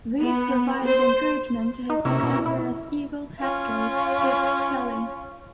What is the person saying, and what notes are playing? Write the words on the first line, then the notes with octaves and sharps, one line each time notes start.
Reid provided encouragement to his successor as Eagles head coach, Chip Kelly.
B3
C5
D#4
C3 A#3 C#4 E4
B2
E4
C#4 F4